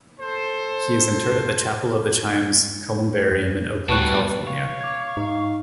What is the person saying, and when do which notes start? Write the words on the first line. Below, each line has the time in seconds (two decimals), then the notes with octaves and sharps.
He is interred at the Chapel of the Chimes columbarium in Oakland, California.
0.20 A4 C5
3.31 F2
3.89 D2 B2 G3 B4 A5 C#6 F#6
4.47 C#5 F5
4.81 D6 G#6
5.17 G#2 D#4 F5